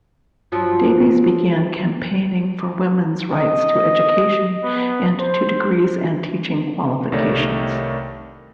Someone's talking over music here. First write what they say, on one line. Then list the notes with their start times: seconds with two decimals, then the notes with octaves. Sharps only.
Davies began campaigning for women's rights to education and to degrees and teaching qualifications.
0.52 G2 F3 F#3
3.34 D#5
4.64 B3
5.20 C5
7.12 C2 D#3 G3 A3 C#5 A#6